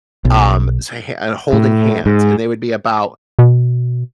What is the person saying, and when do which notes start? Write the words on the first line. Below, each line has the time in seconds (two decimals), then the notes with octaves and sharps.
um, so h and holding hands and they would be about
0.25 B1
1.53 A2
2.06 G#2
3.39 B2